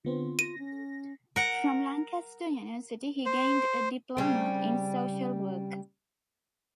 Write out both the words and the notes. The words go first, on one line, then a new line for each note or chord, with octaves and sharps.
From Lancaster University, he gained a Diploma in Social Work.
D3 B3 C4 F4
A#6 D#7
C#4
A#4 F#5
C5
C#3 G3 C4